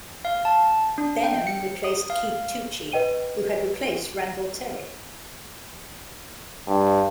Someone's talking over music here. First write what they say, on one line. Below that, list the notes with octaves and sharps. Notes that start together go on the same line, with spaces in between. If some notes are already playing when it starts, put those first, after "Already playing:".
Benham replaced Keith Tucci, who had replaced Randall Terry.
F5
A5
D4
G5
C#7
D#6
F5
B4 D#5 G5 D#7 G7
G2